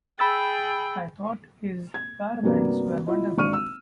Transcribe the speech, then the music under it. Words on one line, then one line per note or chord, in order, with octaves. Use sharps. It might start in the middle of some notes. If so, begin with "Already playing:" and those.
I thought his garments were wonderful.
G#4 G5 B5 E6 A6
G#6
G2 C3 F#3 A#3 B3 D4
E4 F4 D#5
G#1 D4 C#6 F6 D#7
E6